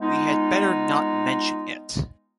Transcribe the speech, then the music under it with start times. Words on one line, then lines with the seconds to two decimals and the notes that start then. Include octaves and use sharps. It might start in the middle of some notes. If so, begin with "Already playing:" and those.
We had better not mention it.
0.01 G#3 B3 D#4 F4